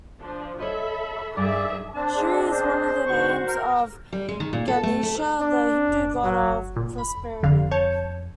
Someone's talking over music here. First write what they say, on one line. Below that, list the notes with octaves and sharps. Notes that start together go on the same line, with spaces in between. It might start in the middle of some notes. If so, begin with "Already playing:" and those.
"Shri" is one of the names of Ganesha, the Hindu god of prosperity.
F3 D4
A4 C#5 D#5 E5 B5
G2 D#3 G#4 D5 E5
C4 D4 A5
G#4 D#5
C5
G#2 D3 F#4 A5 C#6 G6
A#4
G3
G#3
D#3
A#2
A4
A3
A3
D4
F#3
A#2
B5
F2 D3 F5
C#5 A5 G6